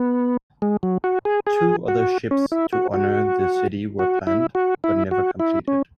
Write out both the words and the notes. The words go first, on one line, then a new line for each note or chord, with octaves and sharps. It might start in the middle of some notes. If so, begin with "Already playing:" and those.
Two other ships to honor the city were planned, but never completed.
Already playing: B3
G#3
F#3
F#4
G#4
G#4
F#4
C#4
E4
F#4
F#4
F#4
E4
F#4
E4
F#4
E4
C#4